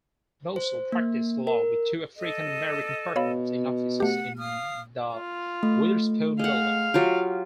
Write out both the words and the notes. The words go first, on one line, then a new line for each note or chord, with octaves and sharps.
Mossell practiced law with two African-American partners in offices in the Witherspoon Building.
C5
A#3
A#4
A4 D#5
B2 C#5 F5 B5
A3 G4 F#5
F5 D#6 F6
F4
A3
G#3 F5 F#5
F#3 F4 G4